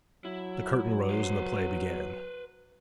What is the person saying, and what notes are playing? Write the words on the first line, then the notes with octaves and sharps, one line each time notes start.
The curtain rose and the play began.
F#3 E4
B4 C5